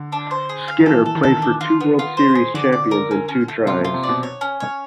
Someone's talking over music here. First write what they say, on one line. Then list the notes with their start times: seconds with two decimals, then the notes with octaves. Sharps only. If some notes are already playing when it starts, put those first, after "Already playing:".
Skinner played for two World Series champions in two tries.
Already playing: D3
0.12 D4
0.31 C5
0.49 G#4
0.68 F5
0.80 D#3
0.86 E3 A4
1.06 A4
1.15 D#3
1.23 A4
1.42 D4
1.61 F4
1.80 B3
1.99 F4
2.17 C5
2.35 G#4
2.54 D3 D5
2.73 D5
2.91 A#4
3.11 C#4
3.29 C#4
3.48 A3
3.66 C3 F4
3.81 C3 F4
3.94 C3
4.03 D5
4.09 B2
4.23 C#5
4.41 C#4
4.60 C#5